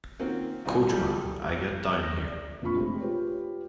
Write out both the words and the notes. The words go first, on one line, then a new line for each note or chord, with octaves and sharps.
Coachman, I get down here.
D#3 A#3 C4 C#4 F4 F#4
C2 B2 G3 E4 G#5
F#3 G3 F4 G4 A4
A#6
D5
F1 A#2 D4 F4 B5 C#6
G#3 A3 C4 G4 A4
F4 G4 B4 C#5